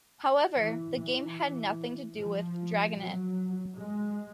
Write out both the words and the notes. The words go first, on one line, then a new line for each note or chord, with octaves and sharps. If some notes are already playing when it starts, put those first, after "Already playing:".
However, the game had nothing to do with Dragonette.
E3
E3
F3
F#3
G#3